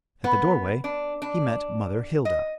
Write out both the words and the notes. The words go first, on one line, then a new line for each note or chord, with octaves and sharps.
At the doorway he met Mother Hilda.
B3
D4
D4
D#5